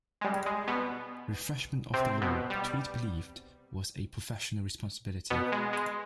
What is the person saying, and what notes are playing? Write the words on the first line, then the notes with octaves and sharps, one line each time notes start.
Refreshment of the law, Tweed believed, was a professional responsibility.
G#3
G3
G#3
B2 B3
C3 C4
B2 B3
G3
B2 B3
G#3
G#3